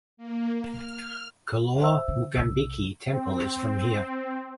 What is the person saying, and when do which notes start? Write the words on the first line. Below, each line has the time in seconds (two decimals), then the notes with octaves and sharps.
Kollur Mookambika temple is from here.
0.17 A#3
0.68 F6
1.81 C5 E5 E6
2.08 D3
2.37 B1 C3 E6
3.12 C4